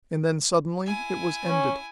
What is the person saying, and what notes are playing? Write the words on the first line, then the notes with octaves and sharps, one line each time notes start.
And then suddenly it was ended.
E4 G#5
C#4